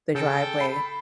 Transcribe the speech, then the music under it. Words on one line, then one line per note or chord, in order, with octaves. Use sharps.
the driveway,
C#3 A4 G5
B5 C7